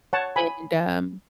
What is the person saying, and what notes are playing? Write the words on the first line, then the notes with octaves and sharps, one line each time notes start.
and, um
C#5 F#5 A5
G#5 B5